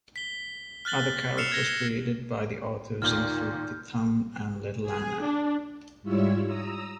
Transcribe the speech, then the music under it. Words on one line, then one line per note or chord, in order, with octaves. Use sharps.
Other characters created by the authors include The Thumb and Little Anna.
B6 G7
F6 F#6 A6 F#7 G7
E6 F6 C7 C#7 E7 F7
G#6 A#6 G7
D#2 A#2 F6 G6
G#4
D4
G#2 G3 E4 F4 C#5 E6
A#5 D#6 E6